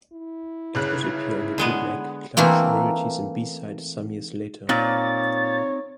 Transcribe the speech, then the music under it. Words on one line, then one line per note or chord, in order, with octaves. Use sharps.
It would appear on the bootleg 'Clutch: Rarities and B-Side' some years latter.
E4
G1 C#3 F#6
D3 G#3 B3
E3 A3 A#3 C4
A#2 C4 D#4 C#5 D5 A6